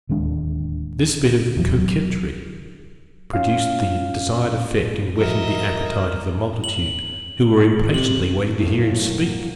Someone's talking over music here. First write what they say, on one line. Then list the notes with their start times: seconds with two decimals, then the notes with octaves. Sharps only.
This bit of coquetry produced the desired effect in whetting the appetite of the multitude, who were impatiently waiting to hear him speak.
0.09 D1 D#2 G#3 D4
1.57 D#1 E2 F#3
1.78 F#3
3.33 C#4 F4 F5
5.18 G2 F3 F#4 A#4 D#5 E5
6.64 F#7
7.80 G#1
7.94 C3 F#7
8.60 B1 A2 F#3 A#3